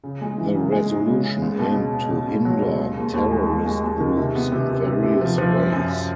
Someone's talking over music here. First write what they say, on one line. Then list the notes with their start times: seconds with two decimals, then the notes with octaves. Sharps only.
The resolution aimed to hinder terrorist groups in various ways.
0.04 C#3
0.21 G#3
0.38 E3
0.55 C#3
0.72 G#3
0.90 G#3
1.07 C#3
1.24 C#3
1.42 C#2
1.59 B2
1.76 C#2
1.93 C#2
2.10 B2
2.28 C#2
2.45 F#3
2.62 C#2
2.80 D#2
2.97 D#2
3.14 D#2
3.31 G#3
3.48 G#3
3.66 G#3
3.83 G#3
4.00 D#3
4.17 C3
4.35 B3
4.52 C3
4.69 C3
4.86 C3
5.04 C3
5.21 F3
5.38 F3
5.56 F#2
5.73 F#2
5.90 F#2